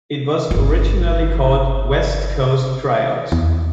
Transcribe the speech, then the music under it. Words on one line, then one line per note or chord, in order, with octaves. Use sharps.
It was originally called "West Coast Tryouts".
G1 F4
E2